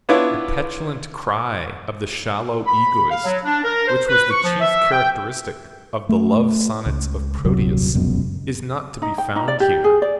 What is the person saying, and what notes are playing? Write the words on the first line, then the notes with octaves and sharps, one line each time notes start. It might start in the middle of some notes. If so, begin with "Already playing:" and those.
The petulant cry of the shallow egoist which was the chief characteristic of the Love Sonnets of Proteus is not to be found here.
B3 D4 E4 F4 C#5 D6
B5
F5
F#3
D4
A#4
C5
B4
C#6
F3
E5
G5
A3
C#2
D#1 C2 G2 F#3
F1 C#2 F#2 B2
D#4
G5
D#4
D5
G4
G#4
D5